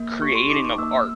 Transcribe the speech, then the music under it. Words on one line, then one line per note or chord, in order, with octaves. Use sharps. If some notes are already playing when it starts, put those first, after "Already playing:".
creating of art
Already playing: A#3
G4 C#6
C6
C#6
D#4 D6
A#3 E6